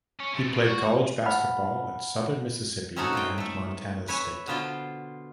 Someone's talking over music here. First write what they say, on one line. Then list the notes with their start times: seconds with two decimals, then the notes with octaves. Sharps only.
He played college basketball at Southern Mississippi and Montana State.
0.20 C#4
0.34 C3 A3
0.48 B2
0.64 F#4
1.25 F5 F#5 A5 B5 F6
2.96 C4 C#4 D#4 F#4 G#4 A4
3.13 A2 F4 G5
3.38 A3 A4
4.08 B4 C#5 E5 G#5
4.47 B2 D3 B3 F4 C5 G5